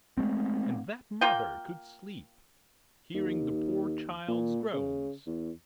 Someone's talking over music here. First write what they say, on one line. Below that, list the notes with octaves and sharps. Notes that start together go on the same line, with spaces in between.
And that mother could sleep, hearing the poor child's groans!
G#3 A3 C4
A#3 F4 G5
D#2
A#2
C#3
E2